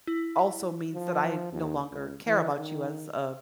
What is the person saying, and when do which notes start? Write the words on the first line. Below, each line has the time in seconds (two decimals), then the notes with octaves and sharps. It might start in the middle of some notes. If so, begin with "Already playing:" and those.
also means that I no longer care about you as a
0.07 E4
0.94 F3
1.52 D#2
1.91 C#2
2.27 E3
2.57 D#3